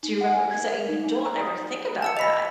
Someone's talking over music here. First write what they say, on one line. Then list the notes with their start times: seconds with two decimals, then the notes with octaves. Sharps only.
do you remember 'cause I you don't ever think about that.
0.03 D#4
0.21 F#5
0.32 G#5
0.51 G#6
0.67 A#4
0.89 D#4
1.04 D#4
1.25 A#5
1.41 D#6
2.02 A5 E6 C#7
2.17 D#5 B5 A#6 B6 F7